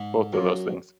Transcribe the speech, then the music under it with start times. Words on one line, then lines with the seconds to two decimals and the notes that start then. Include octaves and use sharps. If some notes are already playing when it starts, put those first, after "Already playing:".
Both of those things.
Already playing: G#2
0.33 F#2 F#3 A#3 C#4 F4